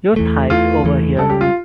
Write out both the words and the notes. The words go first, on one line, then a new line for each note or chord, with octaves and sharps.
Your thigh's over here.
E2 E3 A3
E2 E3 A3 F4
E2 E3 A3
C#2 C#3 G3 A4
G4
F4